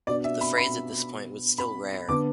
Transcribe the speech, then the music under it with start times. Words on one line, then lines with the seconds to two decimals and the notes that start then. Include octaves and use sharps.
The phrase at this point was still rare.
0.07 B2 B3 D4 F#4 D5
0.24 E5
0.41 B5
0.58 B5
1.58 B5
2.08 D3 B3 D4 D6